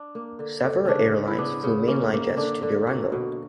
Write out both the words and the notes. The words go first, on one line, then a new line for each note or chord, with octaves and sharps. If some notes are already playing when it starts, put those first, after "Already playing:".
Several airlines flew mainline jets to Durango.
Already playing: D4
A#3
D3
D3
C#3 C#4 D4
C#3
E4
B3 D4
C#3
A#3 C#4
A#3
D3 D4
D3
A#3 F#4
B2